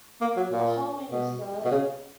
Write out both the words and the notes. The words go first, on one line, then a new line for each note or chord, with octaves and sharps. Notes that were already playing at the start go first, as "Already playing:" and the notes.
For how many, sir?
A#3
F#3
A#2
B2
B2
C#3